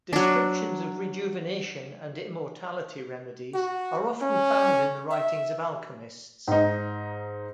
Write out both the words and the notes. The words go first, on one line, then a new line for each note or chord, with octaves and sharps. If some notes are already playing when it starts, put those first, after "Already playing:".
Descriptions of rejuvenation and immortality remedies are often found in the writings of alchemists.
F#3 D4
F#4
C#4
E5
G#2 D#4